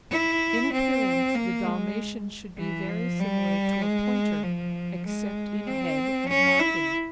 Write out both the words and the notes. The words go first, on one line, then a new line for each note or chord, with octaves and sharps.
In appearance the Dalmatian should be very similar to a Pointer except in head and marking.
E4
C4
A#3
G#3
E3
F3
G3
G#3
F3
G#3
C4
C#4
E4